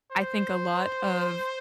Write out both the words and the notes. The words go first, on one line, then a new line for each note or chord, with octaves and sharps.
I think a lot of
C5